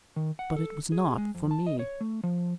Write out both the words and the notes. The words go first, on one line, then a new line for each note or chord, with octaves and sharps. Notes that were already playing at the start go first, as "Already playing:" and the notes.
But it was not for me.
D#3
F#5
A4
G#4
G#3
F2
A5
D#5
C#5
A3
F3